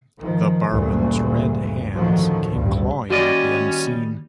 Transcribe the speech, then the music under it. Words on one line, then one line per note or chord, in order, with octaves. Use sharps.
The barman's red hands came clawing at the unseen.
D#3 F3
F#1 D2 G2 A#2 C#3 E3
F#2 A2 D3 D#3 F3 F#3
A1 D2 G2
D#2 G3 C#4 F#4 D5 D#5